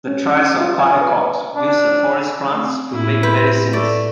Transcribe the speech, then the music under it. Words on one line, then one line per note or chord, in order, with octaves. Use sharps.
The tribes of Patalkot use the forest plants to make medicines.
C#4
F4
G#5
B4
D4
A3 C4
A2 E4
B4 C6 G6
A3 D5